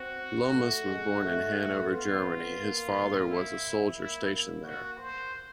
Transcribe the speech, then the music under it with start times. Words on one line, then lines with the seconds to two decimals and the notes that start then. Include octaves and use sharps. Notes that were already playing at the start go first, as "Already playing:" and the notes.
Lomas was born in Hanover, Germany, his father was a soldier stationed there.
Already playing: C4 F#4
0.52 A3
0.86 G#3
1.21 A3
1.54 A3
1.89 B3 F4
2.58 A#3
3.26 E4
3.95 A#3 E4
4.64 F#4
4.99 C5